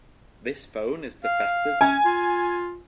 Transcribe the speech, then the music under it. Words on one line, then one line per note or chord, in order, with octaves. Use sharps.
This phone is defective.
F5
C#4 G#5
F4